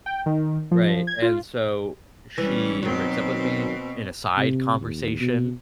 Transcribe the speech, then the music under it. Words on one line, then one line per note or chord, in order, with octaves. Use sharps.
right, and so, she breaks up with me, in a side conversation,
G5
D#3
F3
G#6
F4
E3 G3 C#4
B2 D#3 F#3 C4
C3
D#2
B2